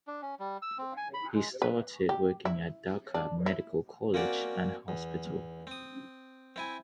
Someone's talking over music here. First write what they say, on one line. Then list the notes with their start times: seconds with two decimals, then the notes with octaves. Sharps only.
He started working at Dhaka Medical College and Hospital.
0.07 D4
0.22 C#4
0.39 G3
0.62 E6
0.78 C4
0.97 G#5
1.14 B5
1.34 G#3
1.62 B4
2.09 G4
2.45 E4
3.14 D4
3.46 E4
4.14 A#3 C4 C#4 F#4 D5
4.88 E2
5.67 C4 D#6
6.56 C4 E4 G#5